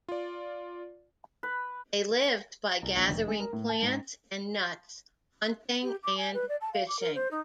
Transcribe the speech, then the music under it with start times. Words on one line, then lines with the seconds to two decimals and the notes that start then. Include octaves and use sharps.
They lived by gathering plants and nuts, hunting and fishing.
0.09 F4 D5
1.43 B4
2.82 C2
2.96 A#1
3.09 F1
3.28 G#3
3.40 A#4
3.53 A2
3.69 A5
3.82 G#2
5.82 G4
6.03 D6
6.17 G#5
6.33 B4
6.48 D5
6.61 A5
6.73 F5
6.88 D6
6.99 A#4
7.14 C5
7.30 D#4